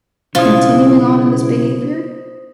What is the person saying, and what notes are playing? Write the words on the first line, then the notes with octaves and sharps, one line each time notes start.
continuing on in this behavior,
B1 C#3 E4 F4 C5 D#6